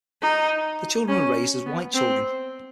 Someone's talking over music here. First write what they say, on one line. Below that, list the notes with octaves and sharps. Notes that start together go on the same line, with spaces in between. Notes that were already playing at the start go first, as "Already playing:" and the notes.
The children were raised as white children.
D#4
C#4
B3
C4